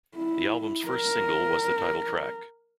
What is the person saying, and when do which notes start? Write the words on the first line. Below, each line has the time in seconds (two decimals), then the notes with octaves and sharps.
The album's first single was the title track.
0.16 E4
0.88 A#4